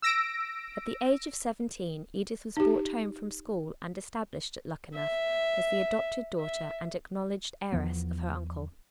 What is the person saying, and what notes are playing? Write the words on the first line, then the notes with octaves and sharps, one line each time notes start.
At the age of seventeen Edith was brought home from school and established at Luckenough as the adopted daughter and acknowledged heiress of her uncle.
E6 A#6 D7
D#4 G4
E5
E5
E2 F3 B3